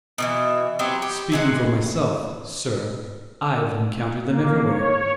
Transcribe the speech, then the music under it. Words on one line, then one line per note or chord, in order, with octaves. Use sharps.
"Speaking for myself, sir, I've encountered them everywhere."
B2 D3 E3
F#3 B3 C4 G4
G4
C3 G#3 F#4
A#3
C#5